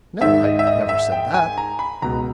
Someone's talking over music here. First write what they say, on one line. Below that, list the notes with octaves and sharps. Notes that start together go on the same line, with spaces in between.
"No, I never said that."
G#2 D#3 E5
D#5
E5
D#5
E5
G5
G#5
A#5
B5
C#2 B2 A#5